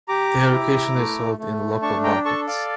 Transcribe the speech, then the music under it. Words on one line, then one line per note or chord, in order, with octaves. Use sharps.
They are occasionally sold in local markets.
G4 A#5 D6
E4
A3
A3
D4 A5 C#6
G5 A#5
A4 A5 C#6
D5 F5